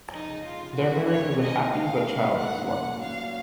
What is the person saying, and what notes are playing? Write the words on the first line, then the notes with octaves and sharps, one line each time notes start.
Their marriage was a happy, but childless one.
F2 D#4
C#3 G#3
F2 F4
C#3 G#3
F2 F#4
C#3 G#3
F2 C#5
C#3 G#3
G#2 D#5
D#3 A#3 C#4
G#2 F5
D#3 A#3 C#4
G#2
D#3 A#3 C#4
G#2 F#5
D#3 A#3 C#4
A#2 F#5
F#3 C#4
A#2 F5
F#3 C#4